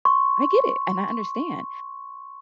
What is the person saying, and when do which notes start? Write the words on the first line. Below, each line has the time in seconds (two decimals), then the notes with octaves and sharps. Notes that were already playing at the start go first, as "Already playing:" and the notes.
I get it, and I understand.
0.05 C6 C#6